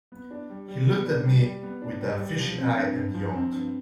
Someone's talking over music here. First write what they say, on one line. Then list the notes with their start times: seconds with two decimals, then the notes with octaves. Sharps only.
He looked at me with a fishy eye and yawned.
0.12 B3
0.31 D4
0.49 G3
0.68 G3
0.87 B3
1.06 D4
1.25 G3
1.44 G3
1.63 B3
1.82 D4
2.01 G3
2.19 G3
2.39 F3
2.57 C4
2.76 G2
2.95 G2
3.14 F3
3.33 C4
3.52 G2